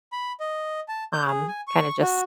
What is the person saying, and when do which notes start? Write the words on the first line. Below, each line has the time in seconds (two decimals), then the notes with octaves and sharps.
um, kinda just
0.12 B5
0.40 D#5
0.88 A5
1.13 G6
1.27 G#4
1.48 G#5
1.67 C#6
2.02 F#4